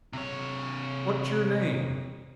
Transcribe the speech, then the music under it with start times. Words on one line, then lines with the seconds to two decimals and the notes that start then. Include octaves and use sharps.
"What's your name?"
0.13 C3 C#5